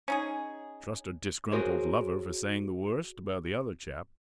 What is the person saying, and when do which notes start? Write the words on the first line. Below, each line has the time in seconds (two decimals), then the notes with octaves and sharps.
Trust a disgruntled lover for saying the worst about the other chap.
0.08 C#4 D#4 G#4
1.52 F#4 G#4 A#4 C5 C#5